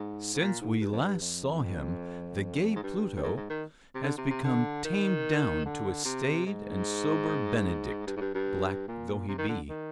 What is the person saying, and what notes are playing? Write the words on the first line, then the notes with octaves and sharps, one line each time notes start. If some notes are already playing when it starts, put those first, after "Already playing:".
Since we last saw him, the gay Pluto has become tamed down to a staid and sober Benedict--black though he be.
Already playing: G#2
G#2
A#2
G#2
G2
F2
G2
F2
G#2
G2
G2
G#2
G#2
D#3
C3
D3
C3
C3
D3
D#3
D3
C3
G#2
G2
G#2
G2
G2
A#2
C3
D#3
D3
D#3